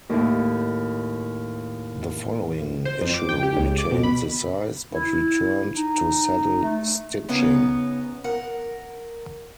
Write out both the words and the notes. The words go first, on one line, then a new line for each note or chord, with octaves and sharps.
The following issue retained the size, but returned to saddle-stitching.
D#2 A2
C5
F2
D6
G5
G4
C#2
D6
B2
B5
E4
D#4
A3
C#3 B3 C#4 D#4
A#4 F#5